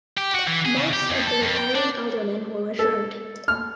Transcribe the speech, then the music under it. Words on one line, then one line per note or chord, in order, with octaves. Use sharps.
Most of the retiring aldermen were returned.
G4
F#4
E3
G#4
C#3
G4
F2
A4
F2
G5
D4
A4
F6